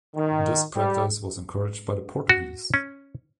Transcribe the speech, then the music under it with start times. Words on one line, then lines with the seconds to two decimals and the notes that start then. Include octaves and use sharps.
This practice was encouraged by the Portuguese.
0.15 D#3
0.75 G3
2.29 F#4
2.74 C#4